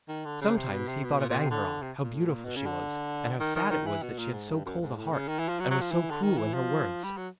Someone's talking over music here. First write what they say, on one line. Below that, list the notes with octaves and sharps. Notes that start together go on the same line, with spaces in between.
Sometimes he thought of Angharad, how beautiful she was, and how sad it was that she had so cold a heart, and was so cruel in her words.
D#3
D3
C#3
C3
B2
C3
B2
A#2
A#2
C3
D3
C3
A#2
A2
A#2
B2
C#3
D3
D#3
D#3
D#3
E3
B2
A#2
G#2
G2
F#2
G#2
A2
C#3
D#3
E3
F3
F#3
F#3
F3
E3
D3
D#3
E3
F3
G3
F#3